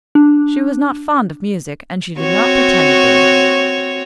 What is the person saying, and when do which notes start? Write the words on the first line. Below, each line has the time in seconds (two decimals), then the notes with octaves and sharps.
She was not fond of music, and she did not pretend to be.
0.15 D4
2.20 C4 F#4 C#5